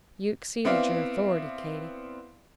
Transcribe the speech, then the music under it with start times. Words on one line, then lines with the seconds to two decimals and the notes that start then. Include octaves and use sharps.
"You exceeded your authority, Katie."
0.65 B3 C4 E4 D5 F5